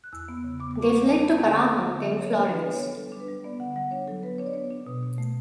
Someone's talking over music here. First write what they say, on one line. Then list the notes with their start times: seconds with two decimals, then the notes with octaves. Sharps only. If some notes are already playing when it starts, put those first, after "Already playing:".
They fled to Parma, then Florence.
0.04 F#6
0.13 E2 E6
0.29 B3
0.44 C#3
0.60 B3 D6
0.71 G3 D6
0.83 C#6
0.91 B3 D6
1.07 G3 A5
1.23 B3 A5
1.38 D3 G5
1.54 B3 F#5
1.70 B3
1.86 D3
2.02 F#3 E5
2.17 F#3 C#5
2.33 D4 C#5
2.49 D4 B4
2.61 B3 B4
2.73 C#5
2.82 D4 A4
2.97 G3 A4
3.12 D4
3.20 B4
3.28 G3
3.44 B3 D5
3.60 D3 F#5
3.76 G3 F#5
3.91 D4 C#5
4.08 F#3 A4
4.23 B3 B4
4.38 D4 C#5
4.46 D5
4.53 B3 C#5
4.70 D4
4.87 B2
5.03 B2
5.18 A3